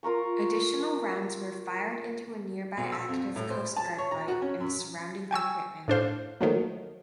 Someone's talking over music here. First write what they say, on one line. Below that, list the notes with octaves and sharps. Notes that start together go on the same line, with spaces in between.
Additional rounds were fired into a nearby active Coast Guard light and surrounding equipment.
F4 A#4 A#5 C#6
B1
E6
F2
A2
C5
A5
C#5
A#5
F#4
C#4
F#2
G5 G#5 C#6 E6
A2 D4 C5 F5
D#3 F3 F#3 A3 A#3